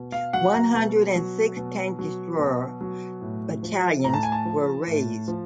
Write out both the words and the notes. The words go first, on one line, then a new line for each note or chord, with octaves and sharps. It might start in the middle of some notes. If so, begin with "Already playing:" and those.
One hundred and six tank destroyer battalions were raised.
Already playing: B2
F5
F#3 F#5
A#5
B2
F#3
B2
F#3
B2
F#3
A2
F3
A2 A#5
A5
G#5
A5
F3
A2
F3